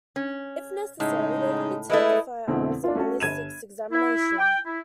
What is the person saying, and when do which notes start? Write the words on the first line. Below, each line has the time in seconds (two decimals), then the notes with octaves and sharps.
If necessary, they undertake a firearms and ballistics examination.
0.16 C#4
1.00 A2 C#3 G#3 D#4
1.90 G#3 A3 E4 B4 D#5
2.47 F2 B2 D3 A3 C4 E4
2.84 D4 F4
2.95 A3 C#4 F#4 A5
3.20 G1 G#6 D#7 E7
3.92 E4
4.38 G5
4.66 E4